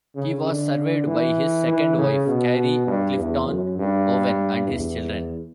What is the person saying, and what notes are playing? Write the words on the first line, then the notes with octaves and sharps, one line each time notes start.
He was survived by his second wife, Carrie Clifton Owen, and his children.
C#3
D3
E3
E3
C#3
B2
G2
E2
F#2
G2
E2